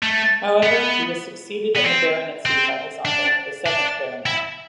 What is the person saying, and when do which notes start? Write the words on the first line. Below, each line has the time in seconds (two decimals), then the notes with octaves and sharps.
However, he was succeeded in the baronetcy by his uncle, the seventh Baronet.
0.03 A3
0.63 B3
1.76 B3
1.84 C4
2.45 C4
3.05 D4
3.66 D4
4.26 E4